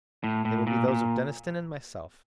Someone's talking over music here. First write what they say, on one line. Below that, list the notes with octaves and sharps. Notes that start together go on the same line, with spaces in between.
They will be those of Deniston and myself.
A2
A2
A#2
A#2